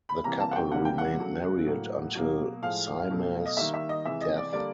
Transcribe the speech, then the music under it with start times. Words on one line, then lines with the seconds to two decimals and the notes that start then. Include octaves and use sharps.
The couple remained married until Sima's death.
0.09 B5
0.24 C3 E3 G3 A#3 A#5
0.40 A5
0.51 F#5
0.56 G5
0.71 C3 E3 G3 A#3 F#5
0.85 G5
0.98 F#5
1.19 C#3 F#3 A3
1.67 A2 F#3 A#3
2.14 B2 F#3 A#3
2.62 A2 F3 G#3 F5
3.10 B2 F#3 A3
3.46 D#5
3.57 D#3 G3 A#3 E5
3.74 E5
3.89 D#5
4.05 C3 E3 G#3 E5
4.21 D#5
4.37 D5
4.53 D3 G3 A#3 D5